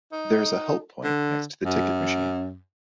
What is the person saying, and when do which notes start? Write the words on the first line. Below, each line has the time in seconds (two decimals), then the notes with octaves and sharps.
There is a Help Point next to the Ticket Machine.
0.12 D#4
1.04 D3
1.65 F#2